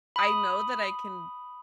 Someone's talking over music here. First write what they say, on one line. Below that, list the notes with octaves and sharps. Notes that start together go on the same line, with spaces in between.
I know that I can
B5 D#6